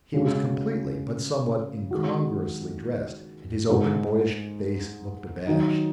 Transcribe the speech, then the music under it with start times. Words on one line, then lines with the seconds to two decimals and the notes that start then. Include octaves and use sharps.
He was completely but somewhat incongruously dressed, and his open, boyish face looked abashed.
0.14 C#3 G#3 F#4
1.91 D#3 G#3 D#4 F#4
3.69 G#2 G#3 D#4
5.47 D#3 F#3 D#4